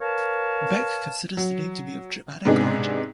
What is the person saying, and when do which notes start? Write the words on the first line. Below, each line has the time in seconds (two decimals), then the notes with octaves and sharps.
Beck considers the name to be of Germanic origin.
0.01 A#4 B4 C#5 F5 A5
1.37 F#3
2.45 G#2 C3 B3 D4 D#4 G#4